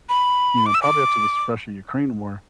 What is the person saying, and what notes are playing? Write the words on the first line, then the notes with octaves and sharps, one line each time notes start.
You know, probably up to this Russia-Ukraine war,
B5
D6
E6
D6